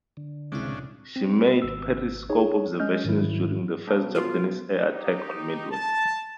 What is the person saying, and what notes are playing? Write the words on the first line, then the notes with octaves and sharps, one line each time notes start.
She made periscope observations during the first Japanese air attack on Midway.
D3
F1 C2 A2 C#3 G#3 C4 D4 E4
C4
G#1 E6
D#4 G#4 C#5
G#3 C#4 D#5 F6 G6
G#2 D#3 F#3 E4
B1
F4
D#4 G4
A5